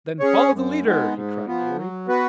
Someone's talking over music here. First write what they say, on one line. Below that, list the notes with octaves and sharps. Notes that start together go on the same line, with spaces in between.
"Then follow the leader," he cried gaily.
C#4 G#4 C#5
F#2
D#3 G#3 B3
G#2
F3 B3
F#3
B3 F#4 B4